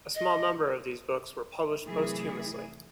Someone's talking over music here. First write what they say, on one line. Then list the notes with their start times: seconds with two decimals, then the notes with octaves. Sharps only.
A small number of these books were published posthumously.
0.15 D#5
1.84 C3 E3 F#3 A3 E4 G#4